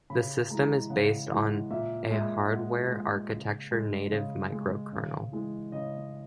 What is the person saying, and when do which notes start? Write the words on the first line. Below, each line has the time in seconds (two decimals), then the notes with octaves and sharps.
The system is based on a hardware architecture native microkernel.
0.10 C#3 B5
0.50 E3 G#3 A#5
0.90 C#3 F#5
1.31 E3 G#3 F#5
1.71 A#2 E5
2.11 G#3 E5
2.51 A#2 F#5
2.91 G#3
3.32 C#3
3.71 G#3
4.12 C#3
4.52 G#3
4.93 C#3
5.32 E3 G#3
5.72 C#3 D#5